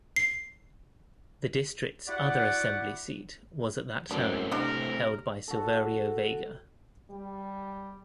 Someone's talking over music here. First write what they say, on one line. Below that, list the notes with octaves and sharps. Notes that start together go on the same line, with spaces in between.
The district's other Assembly seat was at that time held by Silverio Vega.
C7
E4 F#4 G4 D5 F#5
F#2 A3 C4 D4 E4
C3 D4 A#4 D#5
F#4 A4
G3